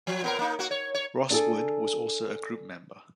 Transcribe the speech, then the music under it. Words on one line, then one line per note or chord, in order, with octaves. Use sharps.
Ross Wood was also a group member.
F3
A#2 B3 A#4
A#3 D#4
A#3 F#4
C#5
C#5
D4 G#4 A4